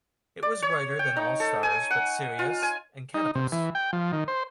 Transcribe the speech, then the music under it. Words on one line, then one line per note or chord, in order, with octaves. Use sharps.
It was brighter than all stars but Sirius and Canopus.
D5
C#5
G5
D#4
A4
G#5
F#5
F4
G#5
D#4
C3
E3
G5
F3
D#3
C5